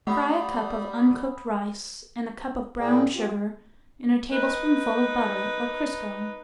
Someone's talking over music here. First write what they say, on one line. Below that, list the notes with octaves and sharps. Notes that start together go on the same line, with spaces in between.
Fry a cup of uncooked rice and a cup of brown sugar in a tablespoonful of butter or crisco.
G3 A3 F#5 B5 D#6
A2 A#3 G#4 D5 G5
F4 G4
D#4 B4